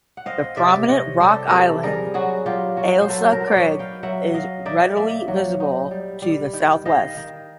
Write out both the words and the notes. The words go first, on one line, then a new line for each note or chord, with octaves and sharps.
The prominent rock island Ailsa Craig is readily visible to the southwest.
F#5
C4 D#5 F5
C3 D5 E5
C3 C#5 D#5
G3 G4 A4
C4 G4 A4 A#4
G3 G#4 A#4
F#3 F#4 G#4
F#3 F4 G4
F#3 F#4
C5
F#3 A4 B4
A#4 C5
F#3
D5
B4 C#5
D#4
F5 G5
F#3 E5 F#5
F#3 D#5 F5
D#4 D5 E5
A#3 D5 E5
F#3
D#4
G3
G3
D#3
D#3 D#5 F5
D#3